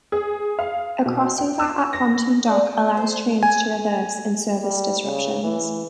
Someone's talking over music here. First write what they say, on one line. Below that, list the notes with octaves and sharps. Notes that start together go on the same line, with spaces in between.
A crossover at Pontoon Dock allows trains to reverse in service disruptions.
G#4
F5
B2
G5
E6
A#6
D4
F3
C5
G#5
G3
C#3
E3